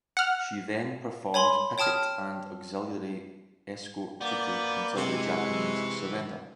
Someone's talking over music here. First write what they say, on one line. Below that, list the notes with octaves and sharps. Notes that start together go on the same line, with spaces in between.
She then performed picket and auxiliary escort duty until the Japanese surrender.
F#5 F6
C#5 G#5 B5 C6
C#5 G5 A5 D#6 F6
A#3 B3 D5 G6
C3 E3 G#3 C#6